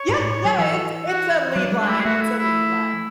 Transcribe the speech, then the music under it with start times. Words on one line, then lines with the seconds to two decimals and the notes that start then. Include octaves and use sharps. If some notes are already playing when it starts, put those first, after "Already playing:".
Yeah. Yeah. I it's it's a lead line, it's a lead line.
Already playing: C#5
0.09 G#2
0.21 A2
0.45 F#3
0.57 E3 A4
1.07 F#4
1.56 F#3 D4
1.72 G#3
1.80 D4
1.88 A3 E4
2.00 G#4
2.05 A3 F#4
2.21 E4
2.38 E4